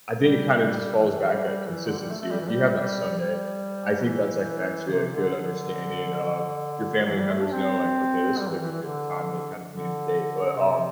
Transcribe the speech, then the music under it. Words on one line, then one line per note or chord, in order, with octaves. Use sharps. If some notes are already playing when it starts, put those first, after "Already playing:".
I think it kind of just falls back at consistency, like, you have that Sunday. I think that's, like, actually a good understanding, um, your family members know, like, okay, this is, like, a good time they kinda communicate. But, um,
G3
E3
G3
G3
E3
D3
G3
A3
A3
G3
E3
G3
G3
E3
C3
D3
D3
G3
E3
G3
A3
D4
C4
G3
E3
E3
E3
D3
D3
C3